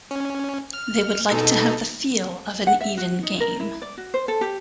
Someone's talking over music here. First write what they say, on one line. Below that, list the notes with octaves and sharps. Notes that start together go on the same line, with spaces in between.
They would like to have the feel of an "even game".
C#4
F6
B2 D#4 A4
F#5
E5
F#4
D#4
A#4
E4
D5
F#4
C5
A4
G4